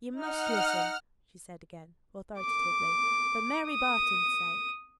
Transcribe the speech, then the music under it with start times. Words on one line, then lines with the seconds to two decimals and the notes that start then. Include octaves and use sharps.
"You must listen," she said again, authoritatively, "for Mary Barton's sake."
0.16 D#4 F#5 F6
2.40 D6
3.68 D#6